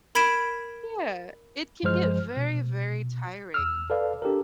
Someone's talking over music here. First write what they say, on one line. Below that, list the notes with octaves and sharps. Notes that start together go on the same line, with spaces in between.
Yeah, it can get very, very tiring.
A#4 B5 G#6 B6 D7 E7
G2 F3 G#3 C5 F6
B2
E2 E6 F6
A4 B4 D5 F5
D4 G4 A4 A#4